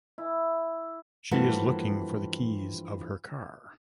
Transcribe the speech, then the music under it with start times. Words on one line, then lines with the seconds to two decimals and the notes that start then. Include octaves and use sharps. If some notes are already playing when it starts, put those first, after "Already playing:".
She is looking for the keys of her car.
0.18 E4
1.31 G2 E3 F3 A3 A#3 F#4